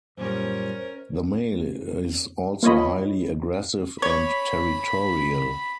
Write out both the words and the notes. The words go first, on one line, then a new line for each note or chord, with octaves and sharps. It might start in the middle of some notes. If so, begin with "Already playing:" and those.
The male is also highly aggressive and territorial.
F#2 A#2 G3 C#4 A#4 C5
A#3 F4 C#5 D#5 B5
C#5 B5